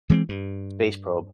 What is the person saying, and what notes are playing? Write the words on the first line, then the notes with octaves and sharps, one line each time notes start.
space probe,
E3 G#3 A#3 C4
G2